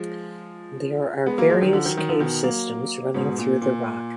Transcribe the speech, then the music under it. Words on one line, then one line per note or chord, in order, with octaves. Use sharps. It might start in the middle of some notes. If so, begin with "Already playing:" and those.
There are various cave systems running through the rock.
Already playing: F3 G#3
G#3 B3
F#3 A#3
F3 G#3
D#3 F#3
D3 F3
D#3 F#3
D#3 F#3
D3 F3
B2 D#3
F#3 A#3
G#2 B2
A#2
A#2